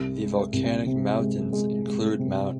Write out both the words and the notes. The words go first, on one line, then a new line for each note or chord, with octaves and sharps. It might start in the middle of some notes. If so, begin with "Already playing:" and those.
The volcanic mountains include Mt.
Already playing: C2
G#3
C2
C3
G#3
G#3
G#3
C3